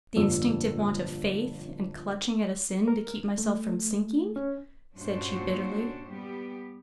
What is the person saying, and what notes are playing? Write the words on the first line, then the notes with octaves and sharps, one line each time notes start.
'The instinctive want of faith, and clutching at a sin to keep myself from sinking,' said she bitterly.
G1 F2 A#2 E6
A#4
A3
C#4
G2 A#2 C#4 D4 F#4 C5
G3 B3 G4